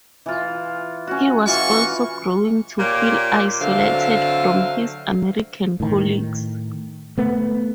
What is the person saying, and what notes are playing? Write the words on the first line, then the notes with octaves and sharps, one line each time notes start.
He was also growing to feel isolated from his American colleagues.
E3 F4
C#4 F#4
E3 F4 F#4 C#6
A#2 A#3 G4 C#5 D5
D3 F#3 C4 E5 F5
A2 D#3
A3 B3